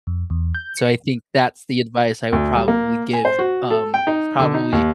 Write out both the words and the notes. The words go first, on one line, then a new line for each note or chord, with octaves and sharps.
So, I think that's the advice I would probably give, um, probably,
F2
E2
G6
C#7
D2
G3
A#3
G#5
C5
F#4
A4
G5
D#4
D3
D#4
D#2